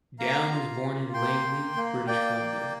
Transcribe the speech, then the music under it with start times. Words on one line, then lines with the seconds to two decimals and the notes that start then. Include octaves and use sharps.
Down was born in Langley, British Columbia.
0.19 A#3 F5 A#5
0.51 F4
0.82 A#3
1.13 A#3 G5 C6
1.45 A#3
1.76 A#3
2.07 A#3 D5 G5
2.39 A#3